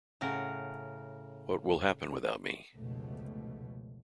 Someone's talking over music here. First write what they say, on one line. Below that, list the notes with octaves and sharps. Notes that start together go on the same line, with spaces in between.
What will happen without me?
A2 C#3 A#4 F#5
F1 C#2 B2 A3